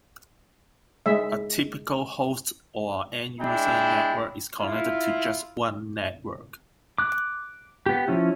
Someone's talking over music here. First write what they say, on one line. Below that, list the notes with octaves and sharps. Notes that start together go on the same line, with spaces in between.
A typical host or end-user network is connected to just one network.
G#3 E5
G#3 D4 E4 G5
E4 F4
D6 F#6
B3 G4
F3 C#4 E4